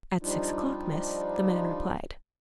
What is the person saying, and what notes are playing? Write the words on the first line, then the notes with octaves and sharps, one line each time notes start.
"At six o'clock, miss," the man replied.
F3 G3 D4 D#4 F4